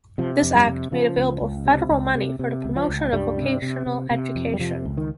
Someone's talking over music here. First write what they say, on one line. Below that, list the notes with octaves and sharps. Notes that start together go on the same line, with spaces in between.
This act made available federal money for the promotion of vocational education.
C3 F3
F2
G2 G3
C3
C#3 F3
C#2
C#2
C3
C#2
C3
C3
C#2
F3
C#2
C#2 G2 G3
C3
C3
C3
C3
F2
G3
C3 F3
C#2
D#3